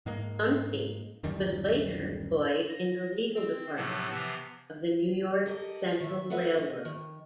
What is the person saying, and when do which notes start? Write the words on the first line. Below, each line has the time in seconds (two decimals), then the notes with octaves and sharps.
Dunphy was later employed in the legal department of the New York Central Railroad.
0.06 G#2 G#3 A#3
1.23 D1 F#2 D#3 G3
2.69 A#6
3.34 C4
3.75 A2 C3 F3 F#3 B3
4.10 C3 E3 F3 B3
5.46 G4 A4 A#4 D#5
6.00 D#3 E5
6.30 B3 A4 B4 D#5 E5 F#5
6.58 D#5
6.85 D#3